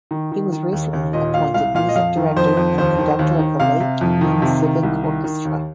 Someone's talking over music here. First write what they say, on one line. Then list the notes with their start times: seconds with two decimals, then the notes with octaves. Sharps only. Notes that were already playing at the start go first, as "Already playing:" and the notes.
He was recently appointed Music Director and Conductor of the Lake Union Civic Orchestra.
0.11 D#3
0.32 D#3
0.52 D#3
0.73 D#2
0.93 D#2
1.13 A#2 D#5
1.34 A#2 F5
1.54 C2 F5
1.75 A#2 F5
1.89 D#5
1.95 F2 F5
2.17 D#3
2.36 F2 C5
2.57 F2
2.78 D#2 C5
2.98 D#3
3.19 D#2
3.39 D#3
3.60 C3 F5
3.80 C3
4.01 F2
4.21 D#3
4.42 C3
4.62 D#3
4.83 C2
5.04 D#3
5.24 D#3
5.45 D#2